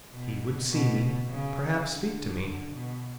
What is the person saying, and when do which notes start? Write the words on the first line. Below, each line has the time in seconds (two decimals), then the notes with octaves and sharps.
He would see me, perhaps speak to me!
0.12 B2
0.70 B2
1.29 C#3
1.88 D3
2.46 D3
2.75 B2